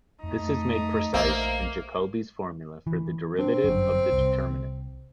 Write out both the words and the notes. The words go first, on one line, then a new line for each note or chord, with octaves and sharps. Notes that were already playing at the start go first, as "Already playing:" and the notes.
This is made precise in Jacobi's formula for the derivative of the determinant.
F2 A3 D#4
A#1 A#3 C5 E5
E3
C4 D4
G1 F#2
C2